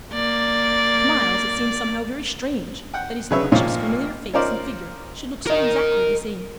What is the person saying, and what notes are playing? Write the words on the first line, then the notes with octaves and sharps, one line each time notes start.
To Myles it seemed somehow very strange that his Lordship's familiar face and figure should look so exactly the same.
A#3 D5
F#5 G5
C#3 F#3 B4 C#5 E5 E6
G#1 A#2 F3 A#3 C#5
C#4 D#4 F4 A#4 C5 D5
A#4 D#5